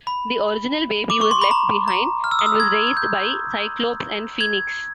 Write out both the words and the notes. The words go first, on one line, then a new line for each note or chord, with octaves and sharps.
The original baby was left behind, and was raised by Cyclops and Phoenix.
B5
D6
C#6
C6
B5
A#5
A#5
F6
E6
D#6
E6
G#6
G#6
G6
G#6